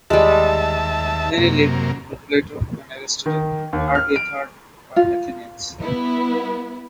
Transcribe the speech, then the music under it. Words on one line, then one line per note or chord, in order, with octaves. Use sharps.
Many lived before Plato and Aristotle, and hardly a third were Athenians.
D#2 G3 G#3 E5 A5
F#2 C3 A#3
D#3
D#2
F6
D7
F4
G3 B3 E4